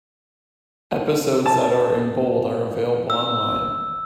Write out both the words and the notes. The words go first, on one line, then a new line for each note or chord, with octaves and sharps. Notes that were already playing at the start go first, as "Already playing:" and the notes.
Episodes that are in bold are available online.
A5
E6